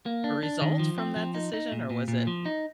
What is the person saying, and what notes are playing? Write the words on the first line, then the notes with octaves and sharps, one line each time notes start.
result from that decision or was it
A#3
D4
D4
D#3
F3
C4
F3
D#4
D#4
A#2
A#2
A#2
F3
D#4